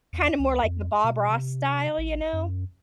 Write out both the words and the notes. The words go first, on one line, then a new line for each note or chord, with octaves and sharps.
Kinda more like the Bob Ross style, you know?
E2
C#2
F2
B2
C3
A1
F#2